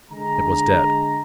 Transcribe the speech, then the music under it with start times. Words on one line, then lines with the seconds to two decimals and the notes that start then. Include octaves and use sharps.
It was dead.
0.10 D3 G#3 A#5